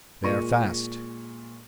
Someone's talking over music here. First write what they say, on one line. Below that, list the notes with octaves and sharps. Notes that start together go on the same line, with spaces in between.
They are fast.
A#2 G#3 C#6 A#6 D#7